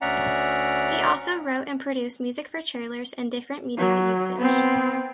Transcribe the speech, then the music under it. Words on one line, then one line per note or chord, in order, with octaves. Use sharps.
He also wrote and produced music for trailers and different media usage.
D2 C#4 D5 E5 F#5 A#5
F#3
B3 C4